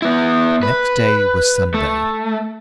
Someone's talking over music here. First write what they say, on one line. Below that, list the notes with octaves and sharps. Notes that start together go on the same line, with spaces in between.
Next day was Sunday.
B3 E4
B4
A3